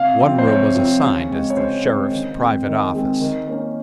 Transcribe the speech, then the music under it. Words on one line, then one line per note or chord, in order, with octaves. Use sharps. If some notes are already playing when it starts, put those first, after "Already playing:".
One room was assigned as the Sheriff's private office.
Already playing: C3 F5
F3 C4
C5
C3 C#5
F3 C4
C#3
G#3 C4
C#5
C#3 C5
G#3 C4
D#3
G#3 C4
D#3
G#3 C4
D#3
A#3 C#4